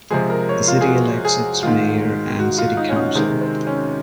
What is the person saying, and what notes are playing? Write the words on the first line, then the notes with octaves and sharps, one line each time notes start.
The city elects its mayor and city council.
C3 F3 G#3 G#4
A#4
C#5
F4
G#4
F#4
G#4
G#2 D#3 G#3 F4
F#4
F4
D#4
C#4
D#4
C3 D#3 G#3
C4
C#4